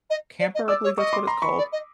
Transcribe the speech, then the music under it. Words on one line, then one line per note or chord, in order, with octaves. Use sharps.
camper- I believe that's what it's called-
D#5
D5
D#5
D5 D6 E6
C#5
D#5 C#6 D#6
C6 D6
A#5 C6
B5 C#6
D5
D#5